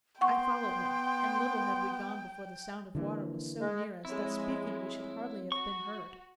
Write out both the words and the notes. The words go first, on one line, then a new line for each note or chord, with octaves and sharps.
I followed him, and little had we gone, Before the sound of water was so near us, That speaking we should hardly have been heard.
B3 F#5 G5 C6 C#6
D3 E3 A#3
G#3
F3 G#3 C4 E4 C#5
F#4 C#6